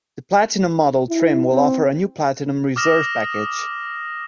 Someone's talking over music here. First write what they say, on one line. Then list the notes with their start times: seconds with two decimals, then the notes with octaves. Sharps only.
The Platinum model trim will offer a new Platinum reserve package.
1.10 E4
1.51 C4
2.76 D6 D#6 F6 A#6 E7